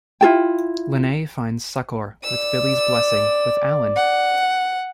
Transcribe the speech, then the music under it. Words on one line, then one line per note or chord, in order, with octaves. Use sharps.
Linet finds succor, with Billy's blessing, with Alan.
E4 F4 A4 G5
D5 E6
F#5